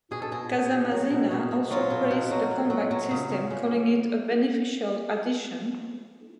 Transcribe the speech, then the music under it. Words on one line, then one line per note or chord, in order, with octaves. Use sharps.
Casamassina also praised the combat system, calling it "a beneficial addition".
B2 G#4
A4
B2 G#4
B2
B2
F#3
B2
B2
B2
F#3 F4
B2
B2
F#3
F#3
F#3
F#3
C#3
C#3
C#3